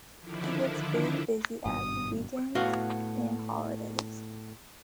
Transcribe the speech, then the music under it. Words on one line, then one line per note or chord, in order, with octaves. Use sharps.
It gets very busy at weekends and holidays.
D3 D#3 F3 D4 E4
G#1 G2 B2 D#6
A2 B3 F#4 F5